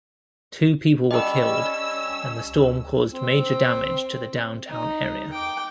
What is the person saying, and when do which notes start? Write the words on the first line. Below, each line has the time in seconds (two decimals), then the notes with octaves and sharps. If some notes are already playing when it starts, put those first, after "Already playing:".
Two people were killed, and the storm caused major damage to the downtown area.
1.11 G3 C#4 D#5 A5 D6 E6
3.12 C4
4.69 D#4
5.32 G5 D6